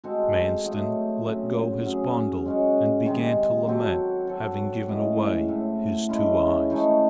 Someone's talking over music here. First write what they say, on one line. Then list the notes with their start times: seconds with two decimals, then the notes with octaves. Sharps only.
Manstin let go his bundle and began to lament having given away his two eyes.
0.04 G#3 C4 F#4 A4
0.65 F#3 A3 D#4
1.25 C#3 F#3 C4
1.85 F#3 C#4 G#4
2.46 G#3 C#4 F#4
3.06 C3 D#3 G#3
3.67 F#3 C4 F#4 A4
4.27 F#3 C4 F#4 A4
4.88 A2 E3 G#3 C#4
5.48 A2 E3 A3 C4
6.09 G#3 C#4 E4 A4
6.70 E3 A3 D#4